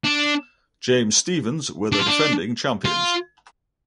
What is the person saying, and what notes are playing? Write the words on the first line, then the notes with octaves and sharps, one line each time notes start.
James Stephens were the defending champions.
D4
D4
F4
D4
F4